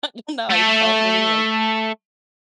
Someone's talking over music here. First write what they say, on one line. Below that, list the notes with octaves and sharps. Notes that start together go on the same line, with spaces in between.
I don't know, I felt really, like
A3 A4